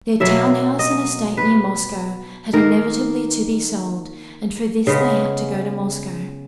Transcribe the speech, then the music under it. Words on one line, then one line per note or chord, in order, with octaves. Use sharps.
Their town house and estate near Moscow had inevitably to be sold, and for this they had to go to Moscow.
B2 F#3 A#3 E5
D#5
B4
D#3 A#3 A#4
C#3 G#3 B3